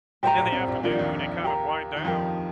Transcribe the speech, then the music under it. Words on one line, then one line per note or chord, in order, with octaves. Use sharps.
in the afternoon and kind of wind down
A2 G4 C5 G5 A#5
A#1 A#2
C2 C3
A#1 A#2
D#3 D4 F4 A#4 D5
F3
D#2 D#3
G4 A#4 F5 A#5
D#3
F2 F3 D#4 G4 A#4 F5